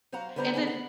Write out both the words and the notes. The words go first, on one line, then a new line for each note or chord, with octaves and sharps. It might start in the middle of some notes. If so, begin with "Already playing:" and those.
and then,
F#3 C5 F5 F#5 A#5
D3 G3 B3 C5 G#5 A#5
D3 D#3 B3 G#4 A4 G#5
F#5